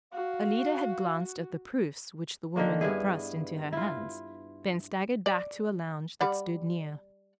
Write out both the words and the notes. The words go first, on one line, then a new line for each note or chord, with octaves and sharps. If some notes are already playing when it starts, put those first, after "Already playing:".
Alida had glanced at the proofs which the woman had thrust into her hands, then staggered back to a lounge that stood near.
F#4 F5
D3 D#3 A#3 D4
G2 B3 E4 G#4
E4 F4
D5
G3 D5 F#5